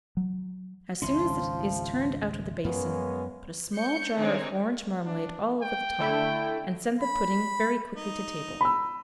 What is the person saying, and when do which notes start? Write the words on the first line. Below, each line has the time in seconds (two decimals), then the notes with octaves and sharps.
As soon as it is turned out of the basin, put a small jar of orange marmalade all over the top, and send the pudding very quickly to table.
0.17 F#3
1.02 G#1 C#2 F3 C#4 E4 D5 C6
2.64 F#2 G#3 A#3 B3 C#4
3.72 C#5 G6 C#7
4.17 D#3 C4 D4 D#4 G#4 C#5
5.06 D4
5.62 G5
6.00 D3 A3 E4
7.01 B5
7.96 D#4
8.61 B5 E6